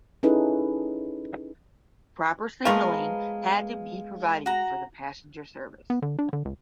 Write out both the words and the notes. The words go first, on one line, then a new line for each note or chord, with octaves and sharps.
Proper signalling had to be provided for the passenger service.
C#4 D#4 E4 G#4 A4 B4
F3 G#3 A3 B3 A#4 B4 F5
F#4 A#5
B3
D3
D4
D3
C#2